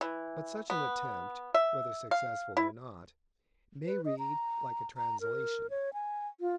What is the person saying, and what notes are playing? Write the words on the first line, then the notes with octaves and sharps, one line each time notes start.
But such an attempt, whether successful or not, may read like a translation.
E3
B3
E5
F5
E4
B4
D#5
A#5
A#5
A#4
C#5
G#5
F4